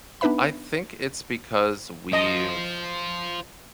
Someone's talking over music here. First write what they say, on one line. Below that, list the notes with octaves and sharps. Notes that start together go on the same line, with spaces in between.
I think it's because we've
B3 D4 D#4 B4 E5 B5
F4 C5 D#5